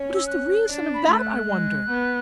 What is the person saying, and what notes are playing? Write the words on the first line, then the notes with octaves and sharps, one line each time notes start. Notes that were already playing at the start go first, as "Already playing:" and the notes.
What is the reason of that, I wonder?
Already playing: C#4
E6
F#6
D4
B5
A3
F#6
G#3
B3